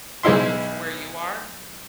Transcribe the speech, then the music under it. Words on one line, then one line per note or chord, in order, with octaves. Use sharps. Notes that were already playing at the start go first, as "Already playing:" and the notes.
Oh, from where you are?
B1 G#3 D#4 E4 C6